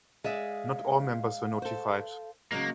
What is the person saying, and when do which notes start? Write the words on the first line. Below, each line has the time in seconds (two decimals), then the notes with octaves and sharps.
Not all members were notified.
0.24 G#3 G#4 D5 E5 F5
1.62 A4 C5
2.52 C#3 F#3 G#3 A#3